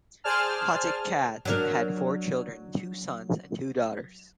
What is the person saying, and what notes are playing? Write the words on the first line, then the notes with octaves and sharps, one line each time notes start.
Pottekkatt had four children- two sons and two daughters.
G#4 C5 D5 G#5 A5 F6
F#3 D4 A#4